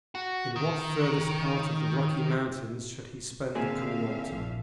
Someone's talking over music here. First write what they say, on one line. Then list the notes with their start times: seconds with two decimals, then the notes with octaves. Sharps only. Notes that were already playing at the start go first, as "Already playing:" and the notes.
In what furthest part of the Rocky Mountains should he spend the coming autumn?
0.15 F#4
0.56 D#3
3.55 D3 A#3 C4 G#4 E5 F5
4.26 A#1 F3